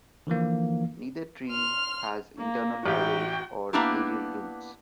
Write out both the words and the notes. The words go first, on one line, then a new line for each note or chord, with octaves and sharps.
Neither tree has internal hollows or aerial roots.
D3 E3 F3 A#3
C6 F6
A#3
A1 F#4 G4 G5
A#3 B3 D4 E4 G4